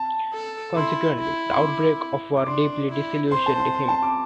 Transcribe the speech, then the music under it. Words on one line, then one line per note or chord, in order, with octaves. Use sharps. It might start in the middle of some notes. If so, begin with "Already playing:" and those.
Consequently, the outbreak of war deeply disillusioned him.
Already playing: A5
A4
E4 C6
E4
C6
D6
D6
D4 C6
E4
C5 C6
A5
C6
C6
A5
D6